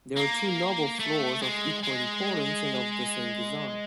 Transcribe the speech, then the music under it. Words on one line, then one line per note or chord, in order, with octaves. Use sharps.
There are two noble floors of equal importance and of the same design.
A#3
A3
G#3
G#3